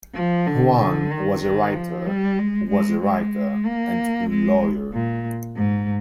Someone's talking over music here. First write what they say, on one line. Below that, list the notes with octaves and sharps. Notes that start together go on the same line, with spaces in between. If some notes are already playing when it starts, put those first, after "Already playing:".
Juan was a writer was a writer and lawyer.
F3
D3
D3
D#3
D#3
F3
G3
G#3
G#3
G#3
A#3
G#3
A#2
G#2